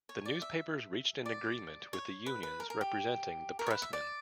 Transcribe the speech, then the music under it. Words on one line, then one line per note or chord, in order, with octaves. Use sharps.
The newspapers reached an agreement with the unions representing the pressmen.
C#5
D5
E5
D5
C#5
B4
B4
A#4
A#4
G4
A#4
C#5
B4
E5
D5